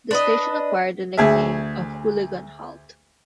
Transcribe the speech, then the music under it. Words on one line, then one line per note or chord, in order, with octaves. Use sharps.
The station acquired the nickname of "Hooligan Halt".
D4 B4 D#5
D2 G#4 E5